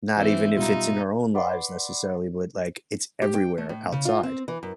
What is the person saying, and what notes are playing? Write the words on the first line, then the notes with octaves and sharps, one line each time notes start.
not even if it's in our own lives necessarily, but, like, it's everywhere outside.
E3 C4 E5
B2 G3 D#4 F4
B4 D5 F#5 C6
G4
G5
A3
A2
C#3
F4
C4
E3
F#2